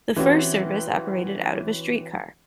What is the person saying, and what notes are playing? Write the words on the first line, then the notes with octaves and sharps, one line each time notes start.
The first service operated out of a streetcar.
E3 C4 C#4 F#4 G4